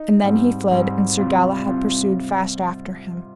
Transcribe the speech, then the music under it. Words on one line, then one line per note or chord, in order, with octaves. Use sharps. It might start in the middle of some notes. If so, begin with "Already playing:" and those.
And then he fled, and Sir Galahad pursued fast after him.
Already playing: D#4
G#2 G3 C4
G#2 G3 C4
C3 G3 C4 F4
C3 G3 C4 F4